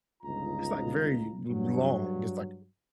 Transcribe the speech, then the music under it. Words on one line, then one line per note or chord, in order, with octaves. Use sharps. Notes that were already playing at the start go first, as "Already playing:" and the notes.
it's like very l long, it's like
G1 C#2 D#4 F4 A#5
G2 F#3